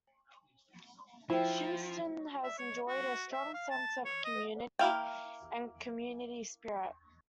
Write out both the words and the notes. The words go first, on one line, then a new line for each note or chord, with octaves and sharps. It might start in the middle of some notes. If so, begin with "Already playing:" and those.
Shinnston has enjoyed a strong sense of community and community spirit.
F3 E4 C5 G5
E5
C#5
F#4
E5
F5
A5
C#5
D#5
A#3 E4 F5 G5